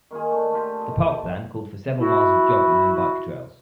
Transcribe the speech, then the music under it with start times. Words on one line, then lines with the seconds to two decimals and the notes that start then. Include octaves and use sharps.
The park plan called for several miles of jogging and bike trails.
0.11 D#3 A#3 F4 G#4
0.31 A3 D4
0.52 A3 F4 G4
0.81 D#5
2.00 E4 F#4